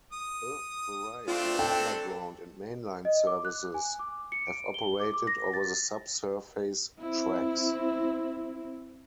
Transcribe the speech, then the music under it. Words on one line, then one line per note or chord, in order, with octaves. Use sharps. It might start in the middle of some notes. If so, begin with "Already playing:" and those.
A variety of underground and main line services have operated over the sub-surface tracks.
D#6
A3 C4 D4 F4
A4 G5
D#5
D6
F#6
G#5
D6
C#7
D7
G7
D6
D6
A#6
A6
C4 E4